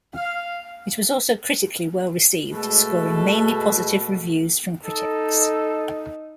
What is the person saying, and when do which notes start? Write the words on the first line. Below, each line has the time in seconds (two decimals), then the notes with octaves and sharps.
It was also critically well-received, scoring mainly positive reviews from critics.
0.15 F5
2.51 B2 G#3 A3 A4
4.85 D#4 A4